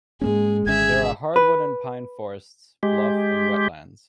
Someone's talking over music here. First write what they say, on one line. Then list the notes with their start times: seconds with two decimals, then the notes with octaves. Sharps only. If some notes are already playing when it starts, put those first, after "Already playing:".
There are hardwood and pine forests, bluffs and wetlands.
0.22 G#2 G#3 A#3 C#4 G#4
0.66 G#1 D3 C#4 G#4 E5 G#6
1.36 B4
2.83 G#3 G4